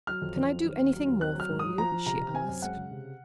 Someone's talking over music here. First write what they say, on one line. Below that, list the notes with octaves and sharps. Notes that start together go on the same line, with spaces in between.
"Can I do anything more for you?" she asked.
F#3 F6
F2
F2
F#3
D#3
D#2
F#3
D#2
C4 F#6
F#3 F6
G#2
F#3 D#6
F3 A#5
F3
C3 A#5
C3
C4 G#5
F#2
G#3 F#5
C#3
C3